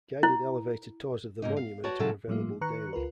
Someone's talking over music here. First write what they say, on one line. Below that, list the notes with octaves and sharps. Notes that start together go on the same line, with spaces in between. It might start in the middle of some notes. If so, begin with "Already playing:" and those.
Guided elevator tours of the monument are available daily.
E4
G#2 A#3 D#4
F5
F#4 B4 C#5 D5 A5
A#2 C#3 F#3 E4 A4 A5
A2 F3 G3 A3 A#3 F4
D#3 B4 A#5 C#6 F#6 C#7
C#2 F4 A#4 B4